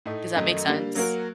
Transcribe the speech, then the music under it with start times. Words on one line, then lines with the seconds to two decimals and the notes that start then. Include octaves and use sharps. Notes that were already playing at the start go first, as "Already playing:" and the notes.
Does that make sense?
0.06 A2 A3 D#4
0.35 F#2 D#3 F#3 A3 D#4
0.66 D3 G3 A#3
0.95 F#3 A#3 F#4 A#4